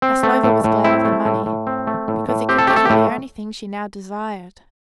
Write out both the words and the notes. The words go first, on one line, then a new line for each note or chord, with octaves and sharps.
Maslova was glad of the money, because it could give her the only thing she now desired.
C4
A3
A2
A2
C4 E4
A3
A2
A2
C4
A3
A2
A2
C4 G4
A4
A3 G4
A4
G4
A2